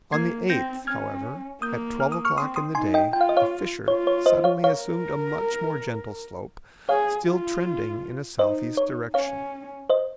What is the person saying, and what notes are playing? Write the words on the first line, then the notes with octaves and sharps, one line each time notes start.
On the eighth, however, at twelve o'clock in the day, the fissure suddenly assumed a much more gentle slope still trending in a southeast direction.
A#3 G#6 C7
C4 G6 A#6
C#4 F6 G#6
A#3 D#6 G6
F6
D#6
C#6 F6
C4 C6 D#6
C6 D#6
D#4 G#5 C6
D#5 G5
F4 G5
F5
D#5
C#5 F5
F4 C#5
C#5
C5 D#5
C#5 F5
A#4 C#5 F5
G#4 C#5 F5
F4
D#4 C5 D#5
C#5
C#4 C#5 F5
C5 D#5